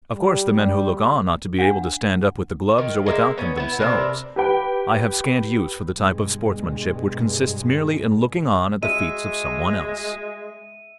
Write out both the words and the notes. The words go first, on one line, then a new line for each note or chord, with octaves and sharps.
Of course the men who look on ought to be able to stand up with the gloves, or without them, themselves; I have scant use for the type of sportsmanship which consists merely in looking on at the feats of some one else.
G3
D4 F5 F#5
D#3
G#3 A#3 D4 E5
B3 C#4
B3 E4
C3 D4 A#4 B4
G4 B4 G5
G2 B2 G#3
G#3 F#4 E5 D#7